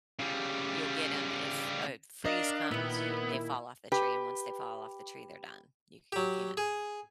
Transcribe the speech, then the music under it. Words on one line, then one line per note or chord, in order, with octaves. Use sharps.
You'll get 'em if, uh, freeze comes, y they fall off the tree, and once they fall off the tree, they're done. You you can't
C#3 G3
D4 A#4 D#5 F5
A#2 D#3 B3 E4
G4 B4
F#3 G4
G#4